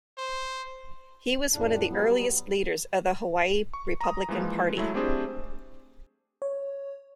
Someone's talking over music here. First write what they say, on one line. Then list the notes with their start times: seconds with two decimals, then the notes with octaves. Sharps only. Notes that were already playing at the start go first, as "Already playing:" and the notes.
He was one of the earliest leaders of the Hawaii Republican Party.
0.18 C5
1.53 F2 A2 C#3 D4
1.88 F#3 G3 B3
3.74 C#6
4.01 A#5 D#6
4.29 E3 F3 G#3 A#3
4.77 F#3 G#3 A3 E4
4.94 A3 C4 D4 G4 G#4 C5
6.42 C#5